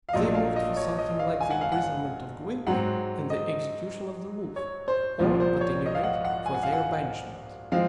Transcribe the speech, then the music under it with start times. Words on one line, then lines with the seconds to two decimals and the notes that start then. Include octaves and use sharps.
They moved for something like the imprisonment of Gwynplaine and the execution of the wolf, or at any rate for their banishment.
0.09 F5
0.13 A#1 A#2 F#3 D#5
0.35 F5
0.56 D#5
0.77 C#5
0.98 D#5
1.19 F5
1.41 G#5
1.51 F#5
1.61 F5
1.72 F#5
2.67 G#2 F#3 C4 F#5
3.30 D#5
4.56 C#5
4.88 C5
5.19 C2 A#2 F3
5.40 C5
5.61 C#5
5.86 D#5
5.95 F5
6.03 F#5
6.25 F#5
6.46 G#5
6.55 F#5
6.63 F5
6.72 F#5
7.72 F3 G#3 C4 F5